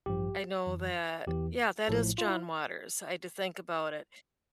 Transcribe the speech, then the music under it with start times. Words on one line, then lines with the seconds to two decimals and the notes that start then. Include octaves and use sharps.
I know that Yeah, that is John Waters. I had to think about it.
0.06 A1 G2 F3 G4
0.67 F2 E3
1.27 E2 E3 G4
1.88 A1 A2 F3 A4
2.18 F4
2.28 E4